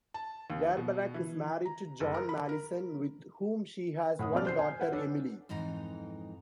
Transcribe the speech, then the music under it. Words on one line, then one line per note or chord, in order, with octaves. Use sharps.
Garbarek is married to John Mallison, with whom she has one daughter, Emily.
A5
D#2
B2
E3
A#5
F#1
A#4
B5
A#4
A2 F#5 D#6
F2 B2 C#4 F#4 D5 F6
C5 G6 C7
G#5
B4 F#5
D4 A4 B4 C#5
F2 G#2 E3 D#4 A#5